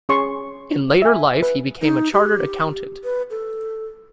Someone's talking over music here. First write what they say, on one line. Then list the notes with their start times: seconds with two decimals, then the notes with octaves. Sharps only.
In later life he became a Chartered Accountant.
0.09 C#4 G#4 C#5 C6 C#6
1.02 E5 G#5
1.43 B4
1.82 D#4
2.13 G4
3.04 B4
3.30 A4